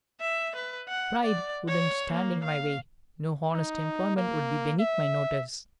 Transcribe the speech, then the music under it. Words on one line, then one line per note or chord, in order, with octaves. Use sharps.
Pride wouldn't stand in my way; no honest employment would be beneath my notice.
E5
B4
F#5
D5
C#5
A#3
F5
D#4
A#3
E5